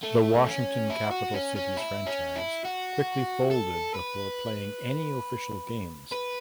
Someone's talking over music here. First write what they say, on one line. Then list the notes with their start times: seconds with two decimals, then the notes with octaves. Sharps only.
The Washington Capital Citys franchise quickly folded before playing any official games.
0.03 A3
0.47 C#4
0.90 E4
1.11 F#4
1.34 C#4
1.56 C#4
1.77 E4
2.07 C#4
2.36 E4
2.65 F#4
3.51 A4
3.95 B4
6.12 B4